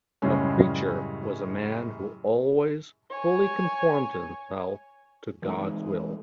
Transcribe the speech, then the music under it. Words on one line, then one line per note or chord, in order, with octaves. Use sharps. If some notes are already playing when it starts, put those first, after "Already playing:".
A preacher was a man who always fully conformed himself to God's will.
F#2 A2 C#3 G3 G#3 C#4
C#5 G#5
E3 G#3 A3 C4 D#4